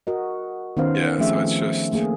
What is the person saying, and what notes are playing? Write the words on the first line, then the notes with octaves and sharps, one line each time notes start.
Yeah, so it's just
F#4 A#4 D#5
D#3 B3 C#4 C5 F5
F3 A3 C4 C#4 G#4 E5
A3 A#3 G#4